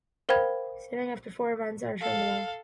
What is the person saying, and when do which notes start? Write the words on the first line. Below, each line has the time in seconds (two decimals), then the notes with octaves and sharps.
Standings after four events are shown below.
0.29 A#4 C5 F5 G5 B5 G#6
2.01 A4 F5